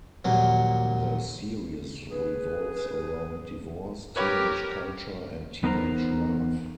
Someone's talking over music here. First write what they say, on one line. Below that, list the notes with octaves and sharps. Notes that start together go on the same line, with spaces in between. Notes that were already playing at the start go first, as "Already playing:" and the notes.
The series revolves around divorce, teenage culture and teenage love.
A#1 D#2 A#2 F#3
G#4 B4
G4 A#4 B4 C#5 B5
E2 B3 D#4 A#4 C5 A#5